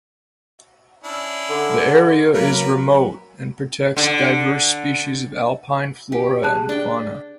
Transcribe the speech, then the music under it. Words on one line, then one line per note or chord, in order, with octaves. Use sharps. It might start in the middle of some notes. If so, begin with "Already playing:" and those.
The area is remote and protects diverse species of alpine flora and fauna.
C#4 D4 E4
D3
F#3 A#3 A#4 B4
D3
G4
G#4 A5 F#6
D4 G5